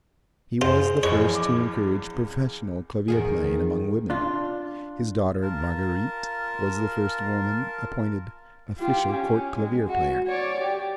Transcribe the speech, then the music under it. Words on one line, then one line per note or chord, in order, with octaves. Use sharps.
He was the first to encourage professional clavier-playing among women. His daughter Marguerite was the first woman appointed official court clavier player.
F4 G#4 C5
A#1 E2 G#3 C#5
D6
E2 D#3 G#4
D4 F4
F4 A#4 A5
F4 G4
C#4
G#3
F#4
C#5 D5
G4